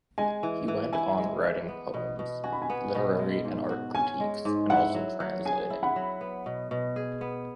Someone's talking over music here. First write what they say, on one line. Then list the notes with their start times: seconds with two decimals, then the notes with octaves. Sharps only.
He went on writing poems, literary and art critiques and also translating.
0.18 G#3 G#5
0.43 E3
0.68 E3
0.93 E4 G#5
1.18 G#3
1.43 E3
1.68 B3
1.94 B2
2.19 B2
2.44 F#4 G#5
2.53 B5
2.62 G#5
2.70 B3
2.94 B2
3.19 G#3
3.45 G#2
3.70 F#4
3.95 C#4 G#5
4.20 G#3
4.45 G#2
4.70 E4 F#5
4.95 F#3
5.20 F#3
5.45 G#4 G#5
5.70 E4
5.83 F#5 B5
5.96 F#3
6.21 B3
6.46 B2
6.71 B2
6.96 G#4
7.21 B3